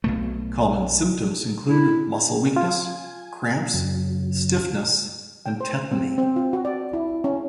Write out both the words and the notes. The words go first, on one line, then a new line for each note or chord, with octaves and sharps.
Common symptoms include muscle weakness, cramps, stiffness, and tetany.
B1 B2 A3
E4
F4 G#5
F#2 C#3 F#3
G5
C5
C4
C4
F4
F#4
D5
E4
C#4